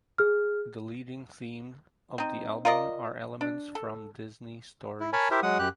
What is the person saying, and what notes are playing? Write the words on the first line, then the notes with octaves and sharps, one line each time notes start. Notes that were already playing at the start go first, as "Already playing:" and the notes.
The leading theme of the album are elements from Disney stories.
G#4 F6
C4 D#4
F4 A#4 D5 D#5
D4
A4
E4
A#4 C#5 G#5 A5 B5
E4 G4 A#4 C5 E5
F#3 G#3 F#5 D#6
F#2 G4 F#6